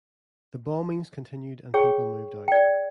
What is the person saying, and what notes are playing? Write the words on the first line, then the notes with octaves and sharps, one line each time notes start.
The bombings continued and people moved out.
G#4 C#5 G5 C#6
D5 G5